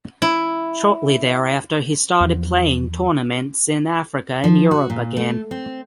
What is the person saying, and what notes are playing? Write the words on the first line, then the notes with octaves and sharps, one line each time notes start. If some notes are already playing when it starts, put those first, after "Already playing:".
Shortly thereafter he started playing tournaments in Africa and Europe again.
E4
E2 F3
F3
F#4
A#2
A3
C4